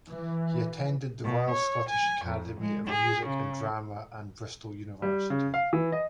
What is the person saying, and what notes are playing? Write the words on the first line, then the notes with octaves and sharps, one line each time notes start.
He attended the Royal Scottish Academy of Music and Drama and Bristol University.
E3
B2
C#5
G#5
F2
G#3
G#4
C#3
G3
C#3
F5
E3
D#5